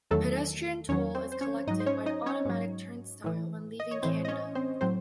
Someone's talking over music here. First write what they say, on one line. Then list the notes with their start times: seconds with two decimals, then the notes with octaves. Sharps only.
Pedestrian toll is collected by an automatic turnstile when leaving Canada.
0.11 E2 D#3 F#3 A3 A4
0.89 E2 D#3 F#3 C#4 C#5
1.15 C4 C5
1.32 C5
1.41 C#4 C#5
1.67 G#2 F#3 D#4 D#5
1.80 C5
1.86 C#4 C#5
2.06 D#4 D#5
2.26 C#4 C#5
2.45 G#2 F#3
3.24 A2 E3
3.80 D#5
3.91 C#5
4.02 A2 E3 C4 C5
4.25 D#5
4.28 C#4 C#5
4.55 C4 C5
4.81 A2 F#3 C4 C5